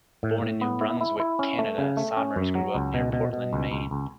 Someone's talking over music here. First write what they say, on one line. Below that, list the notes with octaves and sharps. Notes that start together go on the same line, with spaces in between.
Born in New Brunswick, Canada, Somers grew up near Portland, Maine.
A2
A2
B3
E4
E4
E4
C#4
A3
C#3
A3
C#4
F#2
F#3
C#2
B2
B2
B2
C#2
C#2
C#2